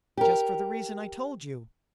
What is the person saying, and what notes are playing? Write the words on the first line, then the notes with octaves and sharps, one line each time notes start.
"Just for the reason I told you."
G4 A#4